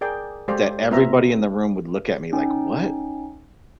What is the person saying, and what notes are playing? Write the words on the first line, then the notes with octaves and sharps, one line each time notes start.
that everybody in the room would look at me like, "What?"
G#4 A#4 D5 G5
G#3 G4 A4 C5 D5 F5
B3 C4 F4 E5 A#5
C#4 D#4 G5